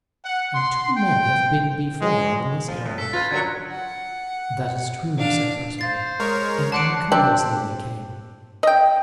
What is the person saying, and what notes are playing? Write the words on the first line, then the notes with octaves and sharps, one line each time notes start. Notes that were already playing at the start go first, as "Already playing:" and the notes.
And two men have been before on this errand." "That is true," said Perceval; "and uncourteously they came.
F#5
C6
G5
G#3
F3
A2
A4 B6
F4 B4 G#6 A6
D3 F#3 A#4 G#6 C#7
F#5
D4 F5
C5 F5 A6 C7
G#3 A#4 C#5
D5 F#5 A5 C6 F#6 D7
C4 D4 G4
D#5 G5